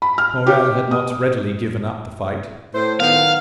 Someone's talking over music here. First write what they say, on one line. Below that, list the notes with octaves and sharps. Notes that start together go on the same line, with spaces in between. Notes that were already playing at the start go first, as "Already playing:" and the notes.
M. Morrel had not readily given up the fight.
B5
F6
G4
D#6
A2 C5
D#3 F#3 B3 F5